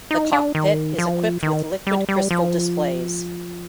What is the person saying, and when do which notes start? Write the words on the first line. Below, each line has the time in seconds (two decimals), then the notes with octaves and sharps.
The cockpit is equipped with liquid crystal displays.
0.11 D#4
0.33 D4
0.55 D#3
0.98 F3
1.43 D#3
1.87 G3
2.09 G3
2.31 F3